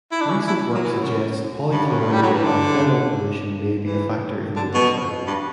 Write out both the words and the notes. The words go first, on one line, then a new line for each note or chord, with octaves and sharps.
Recent work suggests polychlorinated biphenyl pollution may be a factor in the decline.
E4
D4
C#4
E4
F#3
E3
B2
F#2
G2
F#2
G2
G3
F#3
E3
D3
E3
D3
B2
G2